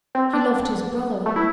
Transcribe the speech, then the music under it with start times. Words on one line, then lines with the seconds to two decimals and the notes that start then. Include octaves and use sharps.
She loved his brother.
0.15 C4
0.33 D4
1.26 A3
1.36 E4